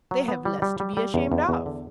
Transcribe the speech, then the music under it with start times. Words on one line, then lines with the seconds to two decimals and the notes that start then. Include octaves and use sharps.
They have less to be ashamed of.
0.11 F#3
0.28 B3
0.45 G3
0.62 G3
0.80 G3
0.97 G3
1.14 E2
1.32 E2
1.49 E2
1.66 D3